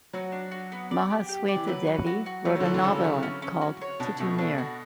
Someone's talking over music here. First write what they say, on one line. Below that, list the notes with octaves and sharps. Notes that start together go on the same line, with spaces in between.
Mahasweta Devi wrote a novella called "Titu Mir".
F#3 F#4
D4
F#4
B3
D5
G4
G4
D5
E3
F#3 B4
F#4
F#4
F#4
F#3 A3
F#3
D3
E3 A4
D3
C#3 A3
A3
C#4
C#4
F#4
C#5
B2 D4
B2 A3
D4
F#4